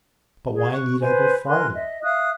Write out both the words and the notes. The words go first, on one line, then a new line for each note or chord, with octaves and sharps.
But why need I go farther?
G#4
C#6 F#6
B4 C5 G#5
A#4 G#5 C6 F#6
D#5 E5
E5 F5 D#6 F#6